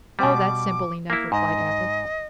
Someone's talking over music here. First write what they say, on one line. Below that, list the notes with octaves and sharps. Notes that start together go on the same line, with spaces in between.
"Oh, that's simple enough!" replied Athos.
B2 G3 D6
A#3 E4
G#2 D#5